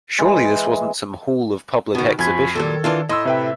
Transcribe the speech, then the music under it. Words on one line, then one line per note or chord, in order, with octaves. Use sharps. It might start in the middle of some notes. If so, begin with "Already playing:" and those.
Surely this wasn’t some hall of public exhibition!
E3 G#3
B2 D#3 B3 F#4
F2 F3 F#4 G#5 B5 G#6
A#2 D#3 F#3 G3 A4
E3 D4 F4
A2 D#5 C6 E6
C3 B4 E5 G5